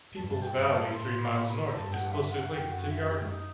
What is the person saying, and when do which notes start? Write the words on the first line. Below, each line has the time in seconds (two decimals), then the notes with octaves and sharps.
Peeples Valley, three miles north, is closely linked to Yarnell.
0.16 G2 A5
0.42 G5
0.55 G2
0.62 G5
0.68 A5
0.90 B5
0.94 A2 C6
1.20 B5
1.46 B5
1.72 G2 A5
1.93 F#5
2.12 E5
2.31 F#5
2.51 F#2 G5
2.71 F#5
2.90 E5
3.10 G4
3.29 D#4